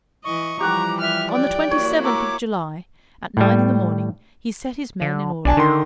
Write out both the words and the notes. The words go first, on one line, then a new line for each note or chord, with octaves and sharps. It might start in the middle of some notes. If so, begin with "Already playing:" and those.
On the twenty-seventh of July, at nine in the morning, he set his men in order.
E3 D#5 C#6
E3 F3 G3 G4 F#5 A#5 D6
E5 F6
D5 G5
A#3 E4 F#4 C#5
C#5 E5 A#5 C#6 D6
A2 G3
D3
B1 D4 G#5 A5
D3 D#3 C6